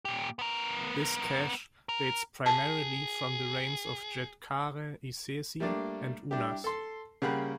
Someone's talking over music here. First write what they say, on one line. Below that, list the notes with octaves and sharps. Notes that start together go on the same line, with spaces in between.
This cache dates primarily from the reigns of Djedkare Isesi and Unas.
A#2 G4
B3 A#4
A#4
G#4 A5
G3 A3 A#3 D4 D5
G3 D4 E4 G4
A4 C6
C#3 G3 A#3 F#5 G5 B5